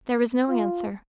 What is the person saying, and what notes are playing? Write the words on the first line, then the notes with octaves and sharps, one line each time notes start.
There was no answer.
F4